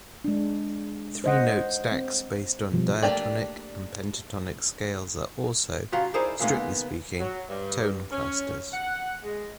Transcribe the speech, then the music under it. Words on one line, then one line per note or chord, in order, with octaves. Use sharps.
Three-note stacks based on diatonic and pentatonic scales are also, strictly speaking, tone clusters.
G#3 D4
C5 D#5 F#5
C4
B2 F3 G3
A3 A#3 D4 G4 D5
C#3 F#3 F4 G4
D#4 E4 G#4 A#4 C5 D5
C#3 E3 G#3 A#3 B3 D#4
F#3
G2
C#4
F#5
G#3